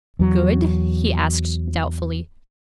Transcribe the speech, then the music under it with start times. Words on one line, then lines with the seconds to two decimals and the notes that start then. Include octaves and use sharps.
'Good?' he asked doubtfully.
0.19 E2 F#3